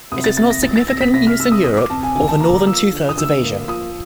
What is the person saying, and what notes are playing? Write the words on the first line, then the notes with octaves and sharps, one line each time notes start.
It is not significantly used in Europe or the northern two thirds of Asia.
C2 D#6
A6
C2 A6
A#6
E3 A6
A6
C3 A#6
B6
C2 A#6
F6
C2 E6
D#6
E3 D#6
D6
C3 A5
G#5
D2 G#5
A5
A#3 A#5
A#5
F3 E6
D3
D#6
D2 E6
A#3
F3 D#6